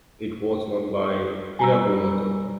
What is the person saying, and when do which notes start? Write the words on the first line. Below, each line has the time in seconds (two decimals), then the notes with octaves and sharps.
It was won by Irapuato.
1.59 G3 G#5 A#5 E6